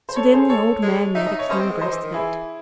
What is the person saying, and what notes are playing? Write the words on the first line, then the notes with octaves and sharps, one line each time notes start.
So then the old man made a clean breast of it.
C5
A4 C#5
G#4 C5
A4 C#5
G#3
D#4 E5
D#5
C#5
C#4 C5 D#5
C4
G#3
F#3 C5 D#5
E3
D#3
E3 E4 G#4